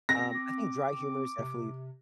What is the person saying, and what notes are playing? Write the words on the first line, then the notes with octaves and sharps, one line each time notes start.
um, I think dry humor is definitely
C4 A#6
D6
C3